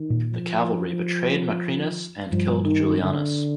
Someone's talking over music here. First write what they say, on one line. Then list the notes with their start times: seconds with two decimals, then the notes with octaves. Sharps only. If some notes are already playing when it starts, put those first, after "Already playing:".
The cavalry betrayed Macrinus and killed Julianus.
Already playing: D#3
0.10 A#2
0.32 F3
2.31 G2 F3
2.64 D#3
2.98 D3